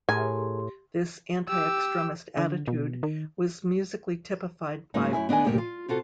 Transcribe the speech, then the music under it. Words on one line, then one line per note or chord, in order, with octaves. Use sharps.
This anti-extremist attitude was musically typified by Oi!
A2 G4 G#4 A#4 G#5 C6
G4 E6
D3
B2
D#3
G#2 F#3 A#3 C#4 D#4
F#2 E4 G#5
B3 D4 D#5 F5 G#5
D2 G2 A#2 G4 A#4
F4
C3 F4 F#4 A4